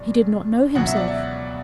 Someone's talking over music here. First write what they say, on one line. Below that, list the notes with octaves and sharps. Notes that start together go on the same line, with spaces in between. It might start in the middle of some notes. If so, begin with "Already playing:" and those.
He did not know himself.
Already playing: E2 B2 F#3 D5
C#2 B2 F#3 F#5
E5
D5
E5